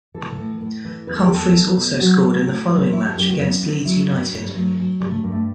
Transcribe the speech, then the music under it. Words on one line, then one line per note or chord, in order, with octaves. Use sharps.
Humphreys also scored in the following match against Leeds United.
E3 A4
A2
A2
E3
E2 B4
A4
G4
E2 A4
F#3
B2
F#3 F#4
A2
A2
F#3
E3 E4
A4
F#2 G4
F#4
F#2 E4
E3 C4
F#3 E4
G2 C4
G2
G3
F#3 A3
F#3
G2 G3
A3
G2
A3